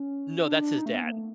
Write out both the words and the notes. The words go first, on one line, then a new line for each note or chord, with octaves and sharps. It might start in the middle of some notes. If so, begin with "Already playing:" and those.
No, that's his dad.
Already playing: C#4
D4
D4
D#4
A3
B3
A#3
A3